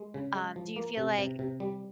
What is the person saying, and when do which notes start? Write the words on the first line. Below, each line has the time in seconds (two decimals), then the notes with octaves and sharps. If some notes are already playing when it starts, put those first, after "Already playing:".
um Do you feel like
Already playing: G#3
0.14 C#3
0.35 G#3
0.56 F3
0.76 A#3
0.97 C3
1.18 C3
1.39 C3
1.60 G3